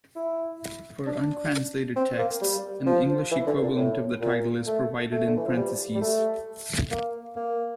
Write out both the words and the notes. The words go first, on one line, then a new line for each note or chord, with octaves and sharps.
For untranslated texts, an English equivalent of the title is provided in parentheses.
E4
D4
C4
A#3
G3
F3
E3
D3
A#2
A2
A#2
A3
A3
D3
E3
F3
G3
G3
A3
A#3
A#3